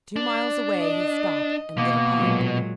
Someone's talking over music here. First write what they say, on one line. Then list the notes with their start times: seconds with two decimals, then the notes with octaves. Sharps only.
Two miles away he stopped and lit a pipe.
0.16 D4
0.79 D#5
1.78 B2 A#3
2.18 A#2 F#3 G#3